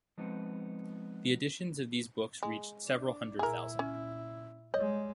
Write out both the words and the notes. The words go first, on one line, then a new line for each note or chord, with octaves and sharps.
The editions of these books reached several hundred thousand.
F3 G#3 B3 C4 D#4
G#3
D4
A#2 E4 G#4 A#4
C#4
G3 G#3 C#5 D#5